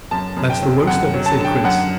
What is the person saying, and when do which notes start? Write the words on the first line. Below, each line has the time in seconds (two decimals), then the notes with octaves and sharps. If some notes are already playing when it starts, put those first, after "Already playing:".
"That's the worst of it," said Chris.
0.11 F#2 A5
0.37 F#2
0.50 G5
0.62 F#3
0.87 F#2 F#5
1.14 F#3
1.26 A5
1.39 D3
1.45 G5
1.64 F#2 F#5